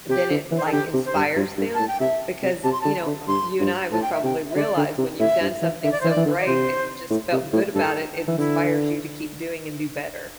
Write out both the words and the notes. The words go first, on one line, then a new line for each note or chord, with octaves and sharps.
eh, then it, like, inspires them because, you know, uh you and I, we probably realize when you've done something so great and you just felt good about it. It inspires you to keep doing and do better,
C3 G4
D3
E3
C5
A4
D3 G4
C3
C5
G2
G2
G2
A2 A5
G5
C3 E5
C3
C3 A5
C6
D3 A5
D3
G2 C6
G2
A2 A5
G5
E5
C3 G5
E5
D3 D5
D3
C3
A2 E5
G2
E3
D3 E5
D5
E3 C5
D5
E3
D3
D5
C3 C5
A2
C3
A2
G2 A4
E3
D3 E4